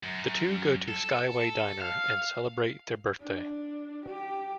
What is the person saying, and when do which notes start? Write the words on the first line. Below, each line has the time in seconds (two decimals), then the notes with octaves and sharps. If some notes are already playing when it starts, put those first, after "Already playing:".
The two go to Skyway Diner, and celebrate their birthday.
0.03 F#2
0.88 A4
1.81 F5
3.20 D4
4.07 G4